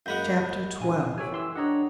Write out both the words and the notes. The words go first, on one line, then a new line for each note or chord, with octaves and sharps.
Chapter XII.
F#2 G#3 A#3 F5 F#5 B5 G6
A#1 F5 G#5
G4 A4 C#5 G#5
E3 C6 E6
D4 G4 C#5 D#5 F#5 A#5